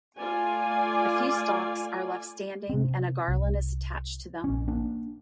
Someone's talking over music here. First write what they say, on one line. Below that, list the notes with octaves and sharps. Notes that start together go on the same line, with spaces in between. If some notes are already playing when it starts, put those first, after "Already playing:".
A few stalks are left standing and a garland is attached to them.
A3 F4 D5 G#5
C3 C4
C2
A#1 C#4
A#3 D4